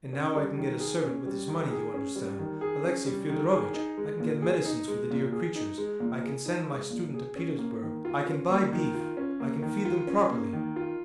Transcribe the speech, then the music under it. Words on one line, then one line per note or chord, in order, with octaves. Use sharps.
And now I can get a servant with this money, you understand, Alexey Fyodorovitch, I can get medicines for the dear creatures, I can send my student to Petersburg, I can buy beef, I can feed them properly.
C#4
G3
D#3
G#4
C#4
G3
D#3
G#4
C#4
G3
D#3
G#4
C#4
G3
D#3
G#4
D#4
G#3
A#2
G#4
D#4
G#3
A#2
G#4
D#4
G#3
A#2
G#4
D#4
G#3
A#2
G#4
C#4
A#3
D#3
F4
C#4
A#3
D#3
F4
C#4
A#3
D#3
F4
C#4
A#3
D#3
F4